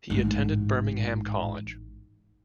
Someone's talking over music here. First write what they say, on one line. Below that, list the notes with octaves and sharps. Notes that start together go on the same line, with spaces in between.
He attended Birmingham College.
A1 G#2